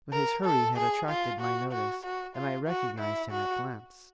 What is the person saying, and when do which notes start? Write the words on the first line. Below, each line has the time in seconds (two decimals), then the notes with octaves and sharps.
But his hurry had attracted my notice, and I recognized him at glance.
0.13 A#4
0.45 A4
0.77 G#4
1.09 F4
1.41 F#4
1.72 F#4
2.04 F#4
2.36 F4
2.68 F#4
2.99 E4
3.32 F#4